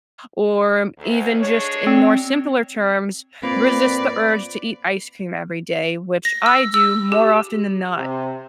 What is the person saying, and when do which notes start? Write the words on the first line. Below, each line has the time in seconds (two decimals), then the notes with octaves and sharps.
or even just in more simpler terms, resist the urge to eat ice cream every day, which I do more often than not.
0.98 D2
1.39 G#3 D4 C#5
1.87 C4
3.43 A#3 C4 F4 B4 D5
6.25 A#6
6.46 E6
6.74 E6
7.12 G4
7.96 C3